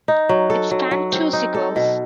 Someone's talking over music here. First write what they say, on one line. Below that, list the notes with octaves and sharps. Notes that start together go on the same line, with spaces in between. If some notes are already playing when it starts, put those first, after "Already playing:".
It spanned two sequels.
D#4
F#3
A4
F#3
F#3
C4
D#4
A4
B2